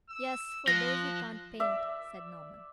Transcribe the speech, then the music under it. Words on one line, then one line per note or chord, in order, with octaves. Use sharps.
"Yes, for those who can't paint," said Naumann.
E6
F3 F#6 A#6
D5 E5